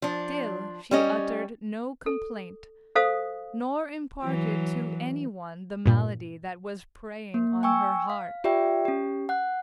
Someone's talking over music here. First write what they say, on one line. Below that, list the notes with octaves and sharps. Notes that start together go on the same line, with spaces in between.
Still she uttered no complaint nor imparted to any one the malady that was preying on her heart.
F3 D4
G3 C#4 D#5
A4
A4 C5 F5 D#6
E3 F#3
G2 A#2
A#3
G5 G#5 C#6 E6
F5
F4 G4 D5 E5 G5
C#4 G4
F#5 F#6